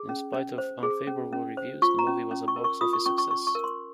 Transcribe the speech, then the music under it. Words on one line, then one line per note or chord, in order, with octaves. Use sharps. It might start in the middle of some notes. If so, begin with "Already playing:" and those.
In spite of unfavorable reviews, the movie was a box office success.
Already playing: G#4
C#4
C#4
C5
G#4
C#4
C#4
C5
F4 C#6
A#5
C#4
C#4
C#6
A#4
C#6
F4 D#6
C#6
C#4 C#6
C#6
C#4 C#6
C#6
A#4
C6